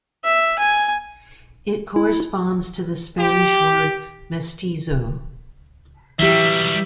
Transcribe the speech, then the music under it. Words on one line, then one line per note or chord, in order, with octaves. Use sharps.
It corresponds to the Spanish word "mestizo".
E5
G#5
E4
G4
E3 F#3 G3 G4 E5